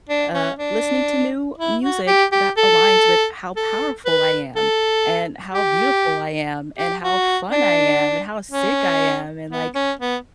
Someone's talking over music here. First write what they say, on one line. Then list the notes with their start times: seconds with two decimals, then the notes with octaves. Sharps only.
uh, listening to new music that aligns with how powerful I am, and how beautiful I am, and how fun I am, and how sick I am, and like,
0.09 D4
0.34 C#4
0.59 D4
1.58 E4
1.83 F#4
2.07 G4
2.32 G4
2.57 A4
3.56 A4
4.06 B4
4.56 A4
5.54 G4
6.78 G4
7.04 F#4
7.52 D4
8.51 C#4
9.51 B3
9.75 C#4
9.99 B3